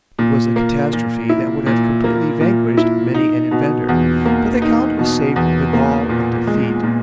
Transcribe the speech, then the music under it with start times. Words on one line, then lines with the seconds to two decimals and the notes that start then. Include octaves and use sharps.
It was a catastrophe that would have completely vanquished many an inventor, but the Count was saved the gall of defeat.
0.19 A#2
0.56 A#3
0.93 A#2
1.29 E4
1.66 A#2
2.04 A#3
2.41 A#2
2.77 E4
3.14 D#4
3.51 B2
3.89 E2
4.25 A#3
4.62 D#4
4.99 B2
5.36 E2
5.73 A#3
6.09 A#2
6.47 G#3
6.83 A#2